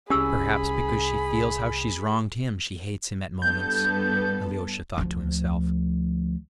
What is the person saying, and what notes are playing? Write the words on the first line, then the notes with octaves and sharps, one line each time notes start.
"Perhaps because she feels how she's wronged him she hates him at moments," Alyosha thought to himself.
C2 C#4 G4 G#4 B5 E6
G2 B3 A4 G6
D2 F3